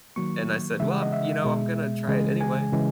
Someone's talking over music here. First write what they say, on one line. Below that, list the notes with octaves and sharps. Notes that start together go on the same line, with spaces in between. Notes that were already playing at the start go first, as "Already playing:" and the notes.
and I said, "Well, you know, I'm gonna try it anyway."
D#3 F#3 A#3 C#6
C#3 E3 G#3 E5
F#5
D#5
E5
B2 G#3
C#3 E3 G#3
G#5
C#3 E3 G#3